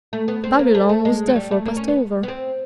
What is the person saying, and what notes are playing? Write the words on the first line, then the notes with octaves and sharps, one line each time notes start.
Barillon was therefore passed over.
A3
B3
C4
A#3
A3
A3
G#3
F#3
G3
A3
A#3
C#4
B3
B3
C4